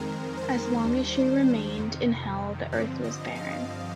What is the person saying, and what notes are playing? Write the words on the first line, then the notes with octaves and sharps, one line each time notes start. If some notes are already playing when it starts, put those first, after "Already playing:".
As long as she remained in hell, the earth was barren.
Already playing: F2 D#3 G#3 C4 A#4
C5
D#2 D#3 G3 D4
F2 C3 D#3
G2 D3 F3 C4 D5
D#5
F5